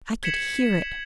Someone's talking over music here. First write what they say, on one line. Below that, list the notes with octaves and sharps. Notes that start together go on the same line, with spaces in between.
I could hear it.
G#6 B6 C#7 E7 F#7